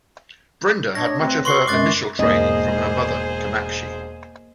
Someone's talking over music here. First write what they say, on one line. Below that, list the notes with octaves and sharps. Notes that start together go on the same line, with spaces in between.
Brinda had much of her initial training from her mother Kamakshi.
D4 C#5 D#5 A#6
D2 C4 B4
F#4 B4 C6 C#6 C7
F#2 G#3 D6 F#6 A6
E1 G#2 A#3 G#4 C5 D#5